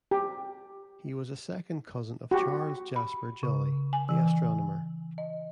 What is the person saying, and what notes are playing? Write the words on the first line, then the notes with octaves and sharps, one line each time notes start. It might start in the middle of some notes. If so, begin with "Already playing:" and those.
He was a second cousin of Charles Jasper Joly, the astronomer.
G4
F#4 G4
B5
C#3
G#5
E3
G#5
D#5